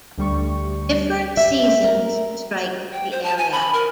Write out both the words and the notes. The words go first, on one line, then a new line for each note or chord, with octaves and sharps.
Different seasons strike the area.
D2 G3 C#6
E5
A#4
G5
C5
A5
G#5
B5
A#4